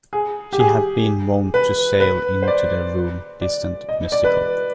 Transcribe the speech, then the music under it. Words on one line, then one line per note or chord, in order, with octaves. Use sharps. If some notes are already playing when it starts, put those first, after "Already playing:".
She had been wont to sail into the room, distant, mystical.
G#4
G4
G#4
B4
B4
C5
D5
D5
D#5
D5
B4